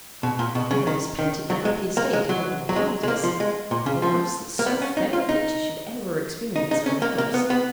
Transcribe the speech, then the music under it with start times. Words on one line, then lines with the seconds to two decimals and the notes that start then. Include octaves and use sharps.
I have thus painted the happy estate of Vondervotteimittiss: alas, that so fair a picture should ever experience a reverse!
0.23 B2
0.39 A#2
0.55 B2
0.71 C#3
0.87 D#3
1.19 D#3
1.50 F#3
1.65 G#3
1.97 A#3
2.13 G#3
2.29 F#3
2.69 F#3
2.76 G#3
3.03 G#3
3.08 A#3
3.24 F3
3.40 G#3
3.71 A#2
3.86 C#3
4.02 F3
4.59 A#3
4.66 B3
4.82 C#4
4.97 D#4
5.13 F4
5.29 D#4
6.56 D#4
6.71 D#4
6.86 C#4
7.02 A#3
7.18 A#3
7.34 B3
7.50 B3